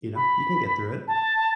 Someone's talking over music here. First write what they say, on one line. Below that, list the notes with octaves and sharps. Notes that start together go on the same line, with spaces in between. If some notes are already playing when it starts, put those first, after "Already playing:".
you know, "You can get through it,"
B5
A5